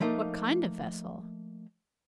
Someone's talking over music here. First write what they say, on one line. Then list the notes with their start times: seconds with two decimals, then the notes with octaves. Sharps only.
What kind of vessel?
0.01 F3 A3 A#3 D#4